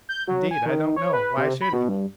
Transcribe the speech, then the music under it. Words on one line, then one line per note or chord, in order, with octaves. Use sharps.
"Indeed I don't know.--Why should he?"
G6
F#3
G#5
D#3
C#5
B4
C3
B5
B2
G2